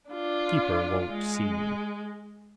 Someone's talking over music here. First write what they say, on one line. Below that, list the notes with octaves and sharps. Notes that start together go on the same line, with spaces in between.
Keeper won't see.
D4 F4
G#3